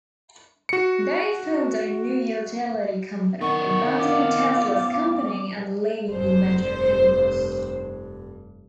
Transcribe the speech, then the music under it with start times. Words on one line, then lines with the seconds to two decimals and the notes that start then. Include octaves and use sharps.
They formed a new utility company, abandoning Tesla's company and leaving the inventor penniless.
0.69 F#4 C#7
3.41 D#3 B3 C#4 F#5 C#6
3.99 F4 D6
6.11 F1 G2 C5